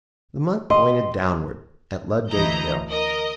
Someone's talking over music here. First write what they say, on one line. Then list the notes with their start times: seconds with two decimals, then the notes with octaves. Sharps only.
The monk pointed downward at Ludgate Hill.
0.70 G4 D#5 C6
2.30 D2 E3 E4 D#5 A#5 G6
2.89 A#4 D#5